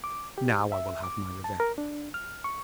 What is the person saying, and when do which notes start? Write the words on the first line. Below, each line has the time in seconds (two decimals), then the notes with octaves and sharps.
Now I will have my revenge.'
0.04 D6
0.38 G4
0.72 E5
1.03 D6
1.44 A5
1.60 A#4
1.78 D4
2.14 F6
2.44 C#6